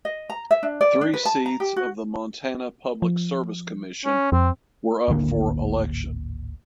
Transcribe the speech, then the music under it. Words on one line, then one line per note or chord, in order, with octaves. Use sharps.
Three seats of the Montana Public Service Commission were up for election.
D#5
A#5
E5
D4
D5
D4
B4
A5
A#5
G4
F#4
F3
C#4
F2 C4
D1 G#1 D3 A#3